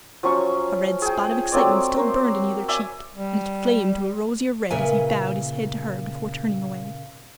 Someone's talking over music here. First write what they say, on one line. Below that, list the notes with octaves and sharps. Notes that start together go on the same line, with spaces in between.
A red spot of excitement still burned in either cheek, and it flamed to a rosier red as he bowed his head to her before turning away.
F3 F#3 C#4 C#6
G#4 G5
F#3 A3 C4 D5
A#4 C5
D5 E5 F#5 G#5
G3
A#2 C#3 A#4 B4 E5 G#5